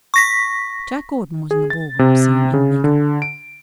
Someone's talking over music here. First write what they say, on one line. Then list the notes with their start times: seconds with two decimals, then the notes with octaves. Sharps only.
Jack Gordon was in the ballroom scene in make-up.
0.14 C#6 A#6 B6
1.51 G#4
1.70 A6
1.99 C3
2.54 C#3
2.84 D3
3.22 D7